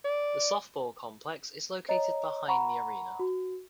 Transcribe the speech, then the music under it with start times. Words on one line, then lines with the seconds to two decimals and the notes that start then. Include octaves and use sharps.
The Softball Complex is located behind the arena.
0.05 D5
1.89 C#5 D#5 A#5
2.48 F#5 A#5 B5 C#6
3.19 F#4